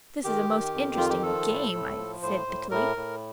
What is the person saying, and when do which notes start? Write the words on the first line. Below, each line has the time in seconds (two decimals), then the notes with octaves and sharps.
"This is a most interesting game," I said bitterly.
0.24 D#3 G4
0.49 D#3
0.74 F2
0.97 D#3 F4
1.10 G4
1.23 F3 A4
1.48 A2
1.73 A2
1.97 F3
2.23 A2 C5
2.47 A2
2.71 A2 A#4
2.97 A2